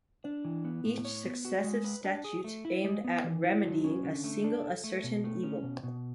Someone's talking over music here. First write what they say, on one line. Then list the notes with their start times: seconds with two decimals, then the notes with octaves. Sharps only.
Each successive statute aimed at remedying a single ascertained evil.
0.25 D4
0.45 E3
0.65 B3
0.84 A2
1.05 C#5
1.24 B3
1.45 F#4
1.64 G#3
1.84 B4
2.04 D4
2.24 G#4
2.44 A3
2.65 E4
2.84 G#3
3.05 B3
3.24 E3
3.44 E4
3.64 F#3
3.84 C#4
4.04 D3
4.24 A3
4.44 D4
4.63 A4
4.84 A3
5.04 B2
5.24 A3
5.43 C#4
5.63 B2
5.83 B2